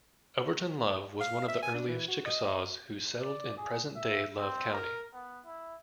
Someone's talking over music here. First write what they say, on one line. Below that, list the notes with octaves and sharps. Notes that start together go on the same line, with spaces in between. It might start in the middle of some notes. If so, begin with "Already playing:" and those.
Overton Love was one of the earliest Chickasaws who settled in present-day Love County.
F5
E5
G#5
D4
E3
F#4
D#5
D5
G#4
E5
C4
A#4
B3
E4